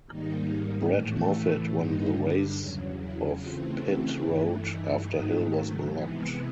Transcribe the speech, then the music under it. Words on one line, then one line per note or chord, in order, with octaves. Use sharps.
Brett Moffitt won the race off pit road after Hill was blocked.
G#2 D#3 G3 A#3 D#4
A2 E3 A3
G2 D3 G3 D#4
E2 C#3 F#3
E4
C#3 E3 A3 C4 F4
F#4
G2 E3 A3 E4
D#4
G#2 D#3 F#3 A3 D#4
C3 E3 G#3 B3